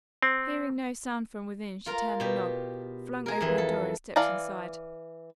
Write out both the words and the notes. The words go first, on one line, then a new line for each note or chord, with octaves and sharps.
Hearing no sound from within she turned the knob, flung open the door and stepped inside.
C4
F4 A#4 A#5
B2 G4
G#4 A#4
F2 E3
A4
E3 D5 F5 A5 A#5